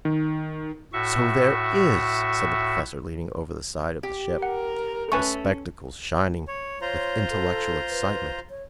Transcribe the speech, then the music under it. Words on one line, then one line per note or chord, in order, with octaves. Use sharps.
"So there is," said the Professor, leaning over the side of the ship, his spectacles shining with intellectual excitement.
D#3
A2 F#4 E5 C#6
G4
A#4 F#5
A3 C#4 B4 G#5 C#6
C#5
F4 C5 C#5 A#5
A4
B4
C#5